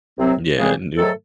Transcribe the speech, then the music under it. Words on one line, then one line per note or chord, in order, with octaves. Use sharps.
Yeah, new
C2 C3 F#3 C4
D#2 C#3 E3 G#3 C4 G#4
G#2 D#3 F#3 A3 A4